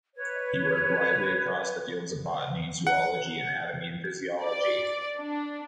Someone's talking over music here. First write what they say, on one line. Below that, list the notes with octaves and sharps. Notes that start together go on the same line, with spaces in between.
He worked widely across the fields of botany, zoology, anatomy and physiology.
B4 C#5
F#5
D5
D4